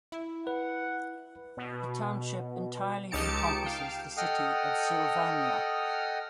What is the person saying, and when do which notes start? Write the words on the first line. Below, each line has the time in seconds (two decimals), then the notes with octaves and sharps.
The township entirely encompasses the city of Sylvania.
0.12 E4
0.47 B4 F#5
1.57 B2
3.11 C#2 D#4 G4 A5 C#7 D7
3.63 F5 G5
4.17 A4 D#5 F#5 G5 D#6 F6